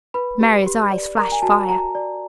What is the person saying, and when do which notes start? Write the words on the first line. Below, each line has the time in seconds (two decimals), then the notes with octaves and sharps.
Mary's eyes flashed fire.
0.14 B4 B5
0.40 G4
0.66 G4
0.92 D5
1.17 A#4 A#5
1.32 G#5
1.42 F#4 A5
1.69 F#4 A#5
1.95 D5